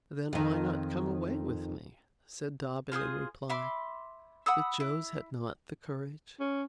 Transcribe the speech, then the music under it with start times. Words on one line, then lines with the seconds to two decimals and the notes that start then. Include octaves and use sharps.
"Then, why not come away with me?" said Dobbin in reply; but Jos had not the courage.
0.33 F2 D#3
2.92 F4 G#4 C5 D#6
3.49 E5 B5 C6 D6
4.46 F#5 B5 D#6 E6
4.80 E4
6.40 C#4